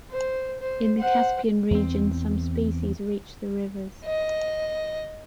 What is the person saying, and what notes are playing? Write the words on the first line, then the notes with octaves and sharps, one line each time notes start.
In the Caspian region some species reach the rivers.
C5
C5
C5 F#5
E2 C4
D#5